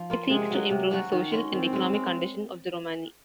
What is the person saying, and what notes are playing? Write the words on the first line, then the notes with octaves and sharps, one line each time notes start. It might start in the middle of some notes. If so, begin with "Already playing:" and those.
It seeks to improve the social and economic condition of the Romani.
Already playing: F3
A#3 F4
C3 G#3
F#3 C#4 F#4
C3
F#3 C#4 F#4
D#3
G#3 C#4
D#3 C4
G#3 C#4
G#3